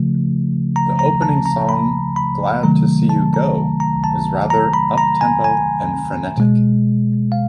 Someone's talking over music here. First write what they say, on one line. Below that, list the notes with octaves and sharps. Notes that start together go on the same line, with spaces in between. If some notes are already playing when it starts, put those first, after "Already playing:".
The opening song, "Glad to See You Go", is rather uptempo and frenetic.
Already playing: C#3 F3 A3
A#5
A#5
A5
A#5
B5
B5
C3 D#3 F#3 A3 A#5
A5
A#5
A#5
A5
A#5
B5
A#5
G#5
G#5
B2 G#3
F5